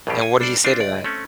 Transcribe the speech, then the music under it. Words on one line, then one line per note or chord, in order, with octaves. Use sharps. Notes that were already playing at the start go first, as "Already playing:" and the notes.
And what did he say to that?
A#1 G2 B2 E3 F4 G4
G#5
G3 D4 A4 C5 D5
C4 D4 F4
C#2 D5
A3 C4 C#4